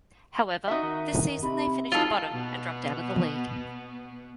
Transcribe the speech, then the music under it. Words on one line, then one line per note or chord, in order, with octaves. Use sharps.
However, this season they finished bottom and dropped out of the League.
D#4 F#4 E5
D#3
C3 B5
A2 F#3 G#3 D#4 F4 A4
B2 B3